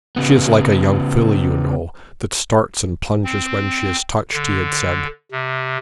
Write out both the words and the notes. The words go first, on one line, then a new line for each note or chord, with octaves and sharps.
'She is like a young filly, you know, that starts and plunges when she is touched,' he had said.
C#3 B3
C4
D3
C3